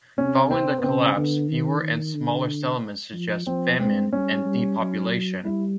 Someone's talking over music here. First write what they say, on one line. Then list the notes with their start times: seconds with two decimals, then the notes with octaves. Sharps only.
Following the collapse, fewer and smaller settlements suggest famine and depopulation.
0.18 C3 C#4
0.51 C4
0.78 B3
0.84 C#3 C4
1.16 D3 B3
1.49 D#3
1.83 D#3
2.15 D3
3.13 F3
3.47 F3 C4
3.70 B3
3.79 G#3 C4
4.13 G3 C#4
4.46 G3
4.79 F#3
5.45 G3 E4